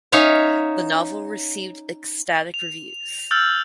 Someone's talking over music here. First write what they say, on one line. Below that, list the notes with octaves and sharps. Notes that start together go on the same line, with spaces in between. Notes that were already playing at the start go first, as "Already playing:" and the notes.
The novel received ecstatic reviews.
C#4 D#4 C#5 E5 F5 G#5
F7
E6 F6 G6 A6 F#7